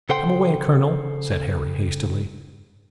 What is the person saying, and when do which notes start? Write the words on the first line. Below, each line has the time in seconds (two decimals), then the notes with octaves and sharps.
"Come away, colonel!" said Harry hastily.
0.09 C#3 A4 C5 F#5 G5 C6